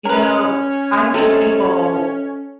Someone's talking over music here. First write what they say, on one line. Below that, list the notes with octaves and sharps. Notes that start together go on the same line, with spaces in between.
you know, I think people
C#4 A#4 B4
C3 G#3 A4